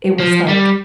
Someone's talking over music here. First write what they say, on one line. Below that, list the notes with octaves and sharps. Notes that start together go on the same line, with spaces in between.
it was, like
F3
G3